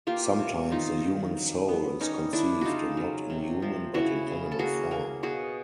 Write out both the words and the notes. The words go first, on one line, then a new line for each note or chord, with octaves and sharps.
Sometimes the human soul is conceived not in human but in animal form.
A#3 F4 G4
C3
D#3 D#4 F4
D#3
F#3
B3
G3 C#4 D#4
D3 D4 E4
C#3 D#4 F4 F#4
F#3
C3
F3
C#3 E4 F#4
C#3
A4
A#3 F#4 G#4
A#3
B2 F#4 G#4